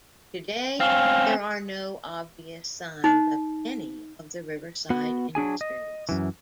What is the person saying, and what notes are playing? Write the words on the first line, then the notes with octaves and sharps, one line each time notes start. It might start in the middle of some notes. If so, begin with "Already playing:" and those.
Today there are no obvious signs of any of the riverside industries.
C4 C#4 F5
D#4
B3 F#4
F#3 D4 G#4 G#5
D#5
F#2 E3